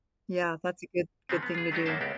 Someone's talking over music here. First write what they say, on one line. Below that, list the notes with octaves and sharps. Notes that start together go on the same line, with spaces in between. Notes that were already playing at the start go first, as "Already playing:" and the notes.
Yeah, that's a good good thing to do.
C#3 F3 B3 C4
B3
F4 G#4
F#3 A3 B3 D4 D#4 G4
F#2 A#3 B3 E4 C5 A5
C#2 B3 C4 G4